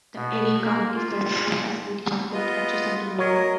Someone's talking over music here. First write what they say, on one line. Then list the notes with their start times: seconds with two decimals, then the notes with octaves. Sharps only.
The Erie County Correctional Facility was built adjacent to Wende.
0.16 B2
0.64 A#3
0.96 F4
2.34 B3 F4 D#5
3.19 F#3 A#4 C#5 D#5